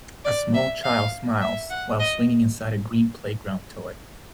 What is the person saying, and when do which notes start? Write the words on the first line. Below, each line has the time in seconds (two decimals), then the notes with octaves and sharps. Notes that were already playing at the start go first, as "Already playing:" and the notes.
A small child smiles while swinging inside a green playground toy.
0.25 D5
0.54 E5
0.84 F5
1.41 E5
1.70 F#5
2.00 D#5